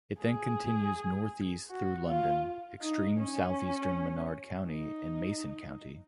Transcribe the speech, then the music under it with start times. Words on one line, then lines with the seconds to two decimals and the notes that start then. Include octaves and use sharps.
It then continues northeast through London, extreme southeastern Menard County, and Mason County.
0.22 G#4
1.71 F#4
2.08 F4
2.82 D#4
3.19 C#4
4.68 D#4